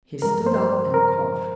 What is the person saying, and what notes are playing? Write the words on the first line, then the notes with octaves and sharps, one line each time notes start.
He stood up and coughed.
G2 F3 G#3 A#4
C5
A#4